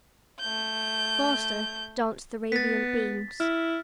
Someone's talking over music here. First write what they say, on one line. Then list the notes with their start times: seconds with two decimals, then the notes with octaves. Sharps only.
Faster danced the radiant beams.
0.40 A3 G6
2.52 B3 A6 B6
3.40 E4 F6